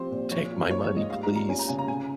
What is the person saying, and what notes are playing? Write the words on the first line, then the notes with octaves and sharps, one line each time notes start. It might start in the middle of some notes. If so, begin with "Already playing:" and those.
Take my money, please."
Already playing: F3 C4 G4 C5
A#2
F3 C#5
F4
A#3 C#5
C#5
G#2
D#5
G3 F5
A#5
F4
A#5
C#4 G#5
A#5
C#3 G#5
A#5
C#3 G#5